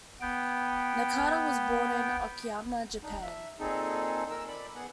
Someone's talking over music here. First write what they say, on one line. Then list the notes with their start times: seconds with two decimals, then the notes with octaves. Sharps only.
Nakata was born in Okayama, Japan.
0.21 B3 G5
3.03 D4 D#4
3.23 E5
3.60 A#2 C4 D#4 G#4 A4
4.30 A#4 E6
4.48 D5 B5
4.75 B3 G#4 F#5